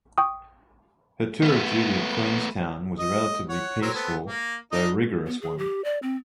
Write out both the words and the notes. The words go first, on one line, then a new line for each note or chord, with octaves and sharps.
Her tour of duty at Queenstown was a relatively peaceful, though rigorous, one.
G5 C#6 D#6
A3 B3
D#5
C#5 F#5
F#3 C4 A#4
B3 C4 A4
A#3
D4 D#4 D#5
B3
G#4
G4
D5
C4